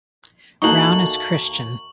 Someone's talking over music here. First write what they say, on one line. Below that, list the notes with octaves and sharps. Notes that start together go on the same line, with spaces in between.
Brown is Christian.
D#2 A#3 D#4 F#4 A4 E5 C#6 F#7